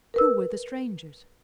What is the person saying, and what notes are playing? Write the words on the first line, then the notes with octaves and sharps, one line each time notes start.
Who were the strangers?
A#4 B4 E6